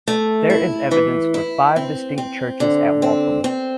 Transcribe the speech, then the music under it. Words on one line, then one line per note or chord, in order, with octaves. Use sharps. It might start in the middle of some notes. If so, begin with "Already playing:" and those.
There is evidence for five distinct churches at Waltham.
A3
E4
E3
E4
C4
C4
D3
C4
C4